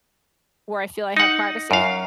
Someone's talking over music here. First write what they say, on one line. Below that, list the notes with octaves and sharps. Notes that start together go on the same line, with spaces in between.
where I feel I have privacy.
D#4 F#5
F#2 F5